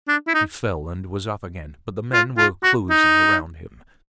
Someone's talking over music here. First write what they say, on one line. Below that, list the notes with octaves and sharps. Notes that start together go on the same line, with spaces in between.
He fell and was up again, but the men were closing round him.
D4
E4
D#4
F4
F4
F#4
D#4